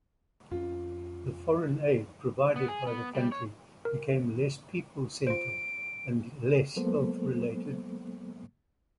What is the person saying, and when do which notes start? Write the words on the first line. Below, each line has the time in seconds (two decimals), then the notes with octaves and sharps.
The foreign aid provided by the country became less "people-centered" and less health-related.
0.51 F2 A#3 C#4 F4
2.56 B3
2.68 G#4
2.87 B3
3.15 G3
3.32 C#5
3.85 A#4
5.27 F4 C5 D7
6.76 F#3 G#3 A#3 B3 A4 C5